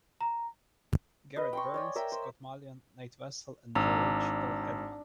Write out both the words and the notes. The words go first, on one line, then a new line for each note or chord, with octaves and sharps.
Garrett Byrnes, Scott Malyon, Nate Wessel and Joe Rich all had one.
A#5
B4 D#5
G5 C6 C#6
C#5 D5 G#5
A#4 C#5 E5 G5
C5
G#1 D4 A#5 E6